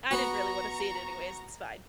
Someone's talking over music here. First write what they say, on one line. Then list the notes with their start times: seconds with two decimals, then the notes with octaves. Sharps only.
I didn't really wanna see it anyways, it's fine."
0.11 B3 F#4 A#5 C#6